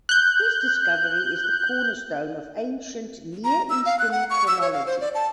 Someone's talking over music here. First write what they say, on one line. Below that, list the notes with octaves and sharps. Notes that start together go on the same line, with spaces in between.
This discovery is the cornerstone of ancient Near Eastern chronology.
F#6 G6
A#5
E6
F5
F#6
F#5
C#6
E6
C#5
F5
C5
D5
A5